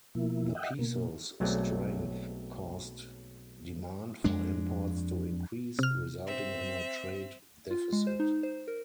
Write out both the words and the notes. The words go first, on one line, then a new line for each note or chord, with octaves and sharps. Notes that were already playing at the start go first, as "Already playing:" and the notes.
The peso's strength caused demand for imports to increase, resulting in a trade deficit.
B2 F3 A#3 E4
D#5 E5 F#5 G5
B2 A#3
B1 F#3 G#3 A3 C4 D5
F2 G#3 D4
C3 F6
C4 E5
F4
G#3
C5
D#4
C5
A#4